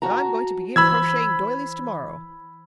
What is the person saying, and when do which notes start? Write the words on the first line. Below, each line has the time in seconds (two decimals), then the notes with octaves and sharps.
But I'm going to begin crocheting doilies tomorrow.
0.02 F#4 A5 A#5
0.76 E3 C5 B5 E6 G#6